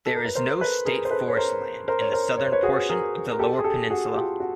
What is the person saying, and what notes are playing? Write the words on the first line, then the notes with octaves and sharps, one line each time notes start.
There is no state forest land in the southern portion of the Lower Peninsula.
A4
A#4
B4
A#4 C5
A4 B4
G#4 A#4
C5
A4 B4
C#5
A#4 C5
A#4 C5
C#5
A#4 C5
C#5
C5
B4 C#5
F#4 G#4
G#4 A#4
A#4
G4 A4
G#4
G4 A4
F#4 G#4
F4 G4
F#4